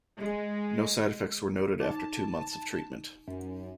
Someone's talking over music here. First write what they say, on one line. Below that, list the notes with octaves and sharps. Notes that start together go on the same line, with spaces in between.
No side effects were noted after two months of treatment.
G#3
D#4 A5
F#2